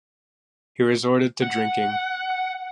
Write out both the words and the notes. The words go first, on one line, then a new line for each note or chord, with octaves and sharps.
He resorted to drinking.
F#5